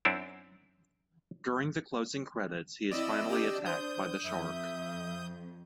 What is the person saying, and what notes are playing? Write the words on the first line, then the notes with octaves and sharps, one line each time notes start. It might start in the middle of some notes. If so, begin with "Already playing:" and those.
During the closing credits, he is finally attacked by the shark.
F#2 C4 D4 E4
C4 E4 D5 D#5 E6
D4 G4
C5 D#6 G6
F2 E5